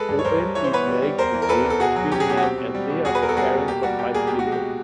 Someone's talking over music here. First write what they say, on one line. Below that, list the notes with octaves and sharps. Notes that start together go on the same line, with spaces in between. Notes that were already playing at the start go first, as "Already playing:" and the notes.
Owen is married to Jane Stringham and they are the parents of five children.
Already playing: G#3 A4 B4
G2
C#5
G2 A#4 C5
G2
E3 C#5
C5
B3 B4 C#5
G3
G3
E2 A#4 C5
E3
A#4
E2 A4 B4
E2
A4
B2 F#4 G#4
F#3
C#4 G4
G#4
B2 G4
F#4
C4 G4
B2
G3
B2
E2 F#4 G#4
B4
E2 A#4
A4
G3 F#4 G#4
B2
A#3 G4
G3 F#4
A#2 G4
A#3 G#4
B2 G4
F#4
G#3
G4
B2